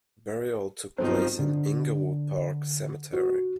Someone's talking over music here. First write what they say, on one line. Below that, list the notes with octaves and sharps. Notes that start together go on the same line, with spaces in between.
Burial took place in Inglewood Park Cemetery.
B1 G2 D#3 F3 C4 D#4 C5
D3
F#4